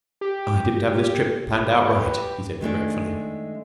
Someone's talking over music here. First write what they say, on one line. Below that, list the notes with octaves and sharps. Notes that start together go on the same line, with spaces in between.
"I didn't have this trip planned out right," he said regretfully.
G4
G4 B4
D#3 G#3 A3 D4